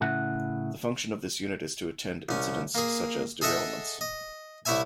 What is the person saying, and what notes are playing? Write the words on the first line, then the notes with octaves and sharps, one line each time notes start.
The function of this unit is to attend incidents, such as derailments.
A2 C#3 E4 F#5
C2 C#4
A#3 G#4
G#4 A4 D#5 E5 F#5
D#5
C2 E4 C#5 E5 G#5